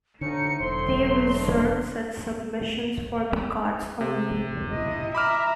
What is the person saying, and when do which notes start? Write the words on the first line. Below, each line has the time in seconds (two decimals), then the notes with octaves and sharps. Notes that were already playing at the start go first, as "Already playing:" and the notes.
They reserved such submissions for the gods only.
0.21 D2 D3 C#4 D#4 C#7
0.60 E1 A2 F#3 C5 C6
1.39 D4
4.01 C3
4.73 E4 D#5
5.15 E5 A#5 B5 D6 F6